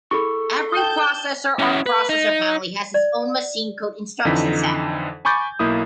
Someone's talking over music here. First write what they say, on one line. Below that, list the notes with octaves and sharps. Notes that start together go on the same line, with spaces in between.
Every processor or processor family has its own machine code instruction set.
E4 G#4 A4 B5 C#6
G5 A5 D#6 G6
C#4 E4
B4
D#4
D5
F2 D3 E3 D#4 B6
G#5 B5 C#6 D6 G6 A6
B1 A#3 E4 D#6